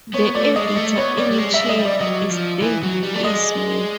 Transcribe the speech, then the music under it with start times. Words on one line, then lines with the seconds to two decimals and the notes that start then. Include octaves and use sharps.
The editor-in-chief is David E. Smith.
0.14 B3 C#5
0.35 A3 D5
0.56 G#3 D#5
0.68 G#3
0.76 A3
0.97 B3 C#5
1.17 G3 D5
1.31 G3
1.38 G#3
1.52 G3 E5
1.59 G#3
1.69 D#5
1.79 G3
1.85 D5
2.00 F#3 D#5
2.31 F3
2.62 E3
2.83 F#3
3.03 G3
3.14 A3 D5
3.23 G#3 D#5